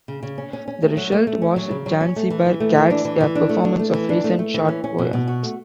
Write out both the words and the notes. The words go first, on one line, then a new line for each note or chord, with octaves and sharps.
The result was "Zanzibar Cats", a performance of recent short poems.
C#3
C#3
C#4
C#4
C#4
A3
F#3
A3
A3
C#4
F#3
C#3
F#3
C#4
A3
E3
E3
A3
E3
D4
E3
E3
D4
A3
D4
A3
E3
D4
A3
A3
E3
C#4
C#4
B2
B2
F#4
A3